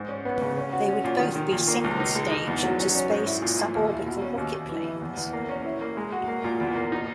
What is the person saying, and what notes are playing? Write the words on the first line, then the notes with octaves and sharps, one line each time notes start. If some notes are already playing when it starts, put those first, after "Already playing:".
They would both be single-stage to space sub-orbital rocketplanes.
Already playing: G#2
C#4
B3
C#3
C#4
F#4
C#4
A#2
D#3
D#3
A#2
A#3
C#2
D#4
G#3
D#4
E2
F#3
C#4
C#4
G#2
E4
A#2
A#2
D#2
E4
B2
C#4
D#2
D#2
E3
E4
E2
E2
A#3
C#4
E4
A#3
G#3
F#4
A#3
A#2
E2
A#3
D#4